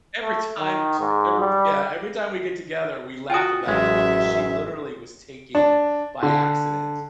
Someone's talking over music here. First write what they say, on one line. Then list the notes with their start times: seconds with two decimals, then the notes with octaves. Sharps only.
every time every d yeah, every time we get together, we laugh about it, because she literally was taking by accident.
0.21 A3
0.59 D#3
1.00 G#2
1.40 G3
3.30 F4 F#4 G5 G#5 D#6
3.67 A1 F#2 G#3 E5
5.55 D4
6.23 D3